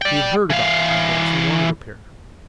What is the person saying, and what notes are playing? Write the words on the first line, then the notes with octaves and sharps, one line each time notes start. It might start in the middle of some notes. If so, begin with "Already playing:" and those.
He had heard about the ibex and wanted a pair.
D5 G5
E3 F5